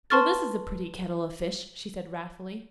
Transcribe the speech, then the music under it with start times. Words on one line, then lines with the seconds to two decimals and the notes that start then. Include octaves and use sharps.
"Well, this is a pretty kettle of fish," she said wrathfully.
0.10 B4 A5 C6 C#6 F6 A6